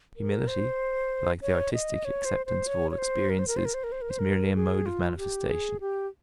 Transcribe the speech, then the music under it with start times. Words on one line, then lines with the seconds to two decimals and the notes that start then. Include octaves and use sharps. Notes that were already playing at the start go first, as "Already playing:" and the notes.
Humility, like the artistic, acceptance of all experiences, is merely a mode of manifestation.
0.17 A#4
0.48 C5
1.42 C#5
1.73 D#5
2.05 C#5
2.25 C5
2.46 C5
2.67 C#5
2.91 C#5
2.98 C5
3.30 A#4
3.39 C5
3.48 A#4
3.57 C5
3.65 A#4
3.74 C5
3.84 A#4
3.92 C5
4.02 A#4
4.10 C5
4.19 A#4
4.55 G#4
4.86 F4
5.18 G4
5.49 G#4
5.80 G4